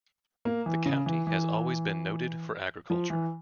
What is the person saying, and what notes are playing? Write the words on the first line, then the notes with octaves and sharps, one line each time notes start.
The county has always been noted for agriculture.
A#3
E3
C#3
E3
E3
F3
E3